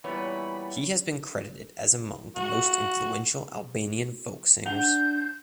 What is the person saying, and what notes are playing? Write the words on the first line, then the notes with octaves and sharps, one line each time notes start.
He has been credited as among the most influential Albanian folk singers.
A#2 E3 G3 B3 C#5 B5
F#4
D4 F#5 G6 F7 G7